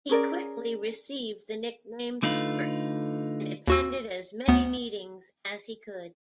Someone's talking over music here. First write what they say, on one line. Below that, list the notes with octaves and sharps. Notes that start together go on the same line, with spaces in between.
He quickly received the nickname "Squirt" and attended as many meetings as he could.
C#4 G#4 A#4 D5
D3 A3 D#4 F4 B4
D#2 F#4 E6
D2 B3